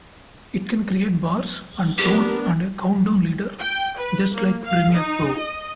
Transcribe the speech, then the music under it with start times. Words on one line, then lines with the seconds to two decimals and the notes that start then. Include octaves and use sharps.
It can create bars and tone and a countdown leader, just like Premiere Pro.
1.98 B3 D4 G4 A#4
3.60 G5
3.98 B4
4.35 A#3
4.65 F5
4.95 D#4
5.39 D#5